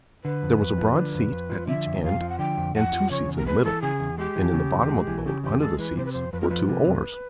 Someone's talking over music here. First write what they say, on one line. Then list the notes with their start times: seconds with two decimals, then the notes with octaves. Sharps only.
There was a broad seat at each end and two seats in the middle, and in the bottom of the boat, under the seats, were two oars.
0.24 D3 B4
0.43 F2
0.60 F2
0.78 F3
0.96 D3
1.14 F2
1.32 F2
1.50 F3
1.67 D3 E5
1.86 F2
2.03 F2 F5
2.21 F3
2.29 F#5
2.39 D3 G5
2.57 F2
2.75 F2 F#5
2.93 F3
3.11 C#3 C#5
3.29 E2
3.37 A#4
3.46 G#3 B4
3.64 E3 A4
3.82 C#3 G#4
4.00 E2
4.18 G#3 G4
4.36 E3
4.53 C#3
4.71 E2
4.89 G#3
5.07 E3
5.26 C#3 G4
5.43 E2 G4
5.61 G#3 A4
5.78 E3 B4
5.97 C3 C5
6.05 B4
6.12 F2 C5
6.32 F2 B4
6.41 A#4
6.49 F3 B4
6.68 C3
6.87 F2